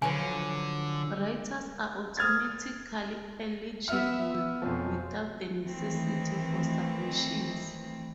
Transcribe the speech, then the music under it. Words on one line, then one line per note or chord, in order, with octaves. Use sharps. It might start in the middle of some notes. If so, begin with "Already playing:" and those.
Writers are automatically eligible without the necessity for submissions.
D3 F3 F#3 B4 G#5
D#6 F6 G#6 A6
B3 E5 F6
F2 B2 F3 G#4 C5 C#5
D#3 E3 A3 C4